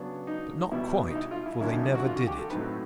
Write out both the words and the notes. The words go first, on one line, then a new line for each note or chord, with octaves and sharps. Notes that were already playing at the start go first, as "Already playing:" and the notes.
But not quite, for they never did it.
Already playing: C#3 F#3 B3 D4
D#4
B2 G3 B3 E4
D#4
E4
F4
E4
D3 F#3 A#3 C#4 E4
D#4
E4
F#4
F4
F#4
G4
A4
A2 F#3 A3 C4 D#4 B4